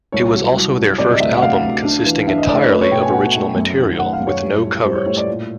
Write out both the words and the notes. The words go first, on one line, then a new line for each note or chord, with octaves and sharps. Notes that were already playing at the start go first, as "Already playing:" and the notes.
It was also their first album consisting entirely of original material, with no covers.
C2 C#5
F#3
C2
F#3
C3 D5
D#5
D2 E5
F#5
D2 F5
D2
D4
E3
D4 E5
D#5
A3 D5
C#5
A3 B4
C#5
B2 G5
G#5
B2 F#5
A3
F#2
D#3
A3 F#5
F5
F#2
C#5
G3
A2
G3 C5
C#5
A2 C#5
D5
A#2